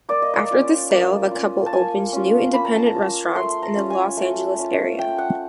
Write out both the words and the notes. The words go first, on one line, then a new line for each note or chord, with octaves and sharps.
After the sale, the couple opened new independent restaurants in the Los Angeles area.
A#3 D5
D#5
D5
C#4 F4
A#3
C#4 F4
A5
A#3 G#5
C#4 F4
A#3 B5
A#5
A5
A#5
C#4 F4
A3 C6
A#5
C#4 F4
G#5
A3
C#4 F4
A3 G5
F#5